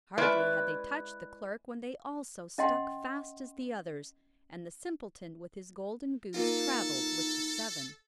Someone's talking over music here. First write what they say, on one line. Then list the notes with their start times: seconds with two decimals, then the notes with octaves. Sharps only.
Hardly had they touched the clerk when they also stuck fast as the others, and the simpleton with his golden goose travelled with the seven.
0.18 G#3 C#4 E4 B4 D5 E5
2.58 C#4 D#5 F#5 G5 C6
6.34 A#3 D#4 F4 A4